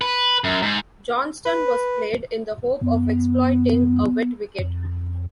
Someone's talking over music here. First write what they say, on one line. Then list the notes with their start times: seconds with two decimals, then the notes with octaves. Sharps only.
Johnston was played in the hope of exploiting a wet wicket.
0.01 B4
0.44 F#2
0.62 G#2
1.45 B4
2.81 F#2 B3
4.59 F2